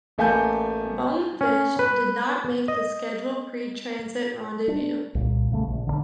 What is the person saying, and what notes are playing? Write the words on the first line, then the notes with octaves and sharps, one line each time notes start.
"Bonefish" did not make the scheduled pre-transit rendezvous.
A1 A3 A#3 G#5 A5 G6
C#4
B4
D#5
D4
C2 A#2
C2 C#3 A3
A#1
D3 D#3 D4